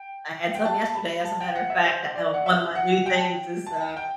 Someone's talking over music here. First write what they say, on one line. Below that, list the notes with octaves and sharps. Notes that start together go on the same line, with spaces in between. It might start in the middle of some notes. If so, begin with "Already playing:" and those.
I had some yesterday, as a matter of fact, uh, one of my new things is, uh,
Already playing: G5
G5
A5
A5
B5
A5
G5
F#5
E5
C5
D5
F#5
E5
F#5
G5
A5
G5
A5
G5